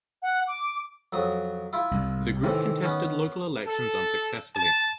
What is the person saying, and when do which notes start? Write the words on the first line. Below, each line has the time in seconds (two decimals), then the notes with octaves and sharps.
The group contested local elections unsuccessfully.
0.22 F#5
0.47 D6
1.13 F2 F#3 D#6
1.73 E4 F4
1.91 C2
2.44 A2 C3 D#3 E3
2.83 B3 C#4
3.66 A4
4.54 A5